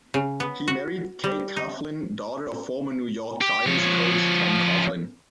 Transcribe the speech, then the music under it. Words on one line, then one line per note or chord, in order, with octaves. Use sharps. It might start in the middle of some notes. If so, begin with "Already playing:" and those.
He married Kate Coughlin, daughter of former New York Giants coach Tom Coughlin.
C#3
B3
F#4
G3
D#4
G4
F3 C#5